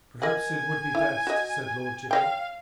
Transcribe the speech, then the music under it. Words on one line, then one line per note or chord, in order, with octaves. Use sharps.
"Perhaps it would be best," said Lord Giblet.
A#4 D#5 F#5 G#5
E4
F#4 D#5
C#5 D#5 F5 G5